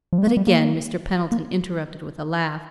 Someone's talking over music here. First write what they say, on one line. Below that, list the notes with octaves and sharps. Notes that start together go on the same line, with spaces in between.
But again Mr. Pendleton interrupted with a laugh.
F3
G3
A#3
G3
A#3
A#3